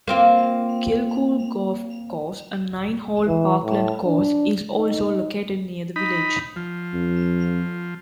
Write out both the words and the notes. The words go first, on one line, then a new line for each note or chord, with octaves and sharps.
Kilcoole Golf Course, a nine-hole parkland course, is also located near the village.
A#3 C4 F4
E3
A2
D4
D#4
D#4 B5
F3
F2